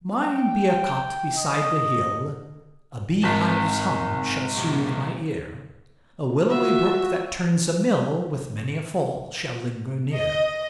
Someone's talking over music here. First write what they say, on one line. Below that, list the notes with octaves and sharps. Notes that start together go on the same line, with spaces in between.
Mine be a cot beside the hill; A bee-hive's hum shall sooth my ear; A willowy brook that turns a mill, With many a fall shall linger near.
G5
D#5
G#1 C4 D#4 A5 B6
B2 F#3 G4
F4 F#4 E5
D#5